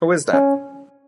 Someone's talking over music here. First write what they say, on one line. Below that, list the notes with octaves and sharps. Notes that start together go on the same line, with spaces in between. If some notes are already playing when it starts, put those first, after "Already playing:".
Who is that?
C#4